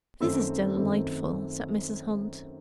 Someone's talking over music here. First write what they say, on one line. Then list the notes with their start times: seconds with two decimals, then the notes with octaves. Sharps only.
"This is delightful," said Mrs. Hunt.
0.20 F#2 D#3 A3 C4 E6
0.77 F#2 D#3 A3 C4